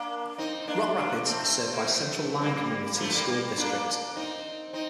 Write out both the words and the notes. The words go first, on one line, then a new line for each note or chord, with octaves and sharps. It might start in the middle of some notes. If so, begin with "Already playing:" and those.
Rock Rapids is served by the Central Lyon Community School District.
Already playing: A#3 D4
C4 D#4
A#3 D4
A#3 D4
A3 C4
A#3
A3 C4
G3 A#3
G3 A#3
A#3
F3 A3
G3 A#3
A#3 D4
C4 D#4
C4 D#4